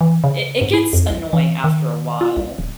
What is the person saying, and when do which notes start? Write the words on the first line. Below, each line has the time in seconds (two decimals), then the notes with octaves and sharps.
i it gets annoying, after a while
0.01 E3
0.24 C#3
0.61 G#2
0.73 E4
0.93 F2
1.10 C2
1.33 E3
1.64 D#3
2.21 F4
2.37 C2
2.59 D1